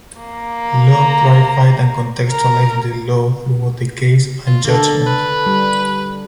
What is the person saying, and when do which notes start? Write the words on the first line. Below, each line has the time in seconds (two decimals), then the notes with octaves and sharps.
Loh clarified and contextualized the law throughout the case and judgement.
0.21 A#3
0.74 A#5
2.30 A#4 A#5
4.46 F4
4.64 D3 A#3 A4
5.07 B4
5.46 G3